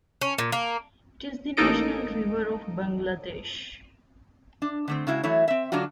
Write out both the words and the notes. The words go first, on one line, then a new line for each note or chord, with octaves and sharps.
It is the National river of Bangladesh.
C#4
A#2
A#3
A1 A#3 D#4 A4 D#5 D7
D4
D3 A3 C4
C#3 G#3 E4 F#4
E3 F#3 A3 E4 C#5
C4 E5
D3 F#3 D4 F4 F#4